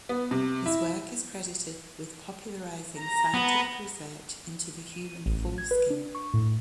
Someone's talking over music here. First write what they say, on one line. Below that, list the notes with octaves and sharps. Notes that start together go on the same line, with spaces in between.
His work is credited with popularizing scientific research into the human foreskin.
B3
C3
E4
A#5
B3
D#7
A1
G#6
B4
D4
C#6
A2